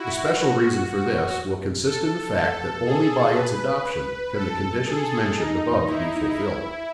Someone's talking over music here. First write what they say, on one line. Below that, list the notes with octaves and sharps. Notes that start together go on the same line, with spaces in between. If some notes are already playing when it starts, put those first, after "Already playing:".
The special reason for this will consist in the fact that only by its adoption can the conditions mentioned above be fulfilled.
Already playing: E4 F#4
F#4
A4
A4
G#4
B4
A4
G#4
D#4
E4
E4